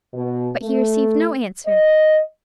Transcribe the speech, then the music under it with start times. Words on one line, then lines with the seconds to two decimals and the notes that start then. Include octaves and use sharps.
But he received no answer.
0.14 B2
0.62 A3
1.66 D#5